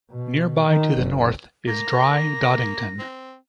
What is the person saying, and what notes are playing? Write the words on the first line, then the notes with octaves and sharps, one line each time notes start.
Nearby to the north is Dry Doddington.
B2
D#3
F#1
A#3 A#6
C4